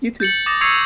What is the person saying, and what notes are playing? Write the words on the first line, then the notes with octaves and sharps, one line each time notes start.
You too.
G6 A6 C#7 F#7
D6 D#6 A6 A#6
C#6 E6 G#6 C7 C#7 F7